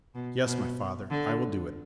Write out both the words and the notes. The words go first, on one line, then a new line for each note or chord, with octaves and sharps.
"Yes, my father, I will do it."
B2
B2
D3